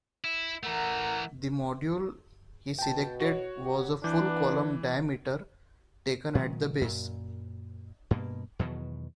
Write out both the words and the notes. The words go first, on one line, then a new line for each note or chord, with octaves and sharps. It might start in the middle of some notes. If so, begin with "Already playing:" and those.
The module he selected was a full column diameter taken at the base.
E4
E3 A3 A#4 F#5 A#5
B2 G5 A5
F#4 C#5
G4
E3 B3 D4 B4 D6 G6
A#2 D#3 F#3 G#3
F#2 A#2
G2 B2 A#3
E2 B2 D#3 F#3